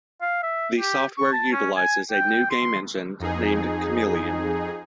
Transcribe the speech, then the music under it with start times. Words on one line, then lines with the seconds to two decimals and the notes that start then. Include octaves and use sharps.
The software utilizes a new game engine named Chameleon.
0.22 F5
0.43 E5
0.78 G4
1.18 C#6
1.32 A5
1.52 C#4
1.77 G#5
2.12 G5
2.50 C6
3.20 F2 D#4 G#4